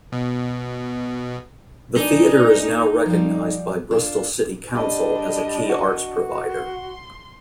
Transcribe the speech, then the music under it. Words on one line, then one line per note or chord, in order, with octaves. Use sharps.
The theatre is now recognised by Bristol City Council as a key arts provider.
B2
D4 D#4 D5 G#5
F3 G3
D4 F4
G3 D4 D#5
F#4
C6